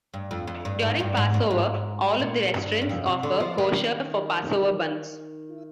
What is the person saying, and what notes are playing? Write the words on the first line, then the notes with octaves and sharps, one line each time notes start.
During Passover, all of the restaurants offer kosher-for-Passover buns.
G2
F2
F2
G2
G#2
G2
G#2
G2
G#2
A#2
G2
G2
F2
C3
D3
F3
D#3